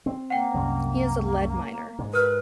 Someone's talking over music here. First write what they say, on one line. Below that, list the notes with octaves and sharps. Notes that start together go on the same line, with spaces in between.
He is a lead miner.
C4
A#3 F#5 G5
C2 F#2 C3
G#2
A#4 B4 F6